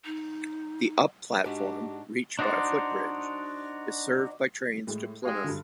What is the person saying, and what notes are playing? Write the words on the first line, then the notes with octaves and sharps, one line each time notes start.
The up platform, reached by a footbridge, is served by trains to Plymouth.
D#4
G#2 D4 F#4 G4
D4 D#4 F#4 C5 D5
A2 G#3
G#3 G4 F5
G2 D3